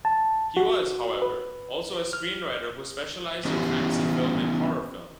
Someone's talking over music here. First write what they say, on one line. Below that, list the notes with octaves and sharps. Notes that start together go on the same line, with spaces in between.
He was, however, also a screenwriter who specialized in fantasy film and horror film.
A5
F#4
B4
F6
E3 B3 C#4 E4 G4 D#5